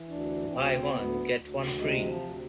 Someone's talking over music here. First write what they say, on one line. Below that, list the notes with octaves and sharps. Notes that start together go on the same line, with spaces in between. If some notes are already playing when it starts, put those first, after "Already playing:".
Buy one, get one free.
Already playing: E3
D2 D4
D2 C4
D2 B3
D2
C3 G#3
F3
D2